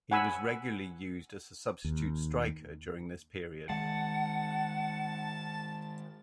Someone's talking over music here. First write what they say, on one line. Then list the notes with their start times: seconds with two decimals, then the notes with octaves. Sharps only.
He was regularly used as a substitute striker during this period.
0.11 F#5 G#5 B5 E6
1.84 D#2
3.70 D#3 G#3 F#5 A5